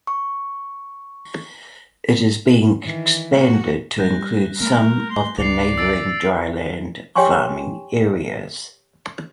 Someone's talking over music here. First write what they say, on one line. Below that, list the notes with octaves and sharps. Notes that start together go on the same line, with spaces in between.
It is being expanded to include some of the neighbouring dryland farming areas.
C#6
D#3 E3
A#3 F#4
G3 F#6 G6 A#6
A3 A#3 A#4
C6
C#2 D5 C7 C#7 F7
E6 A6 D7
G4 C#5 G5 G#5 C6 C#6